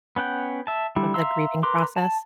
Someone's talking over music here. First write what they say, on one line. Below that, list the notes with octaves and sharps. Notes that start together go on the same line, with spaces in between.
of the grieving process.
B3 C#4 F#5 G5
E5 A5
D3 G3 E4
E5 F5 A#5 C6 E6
A#4 B4 C6 D6
A5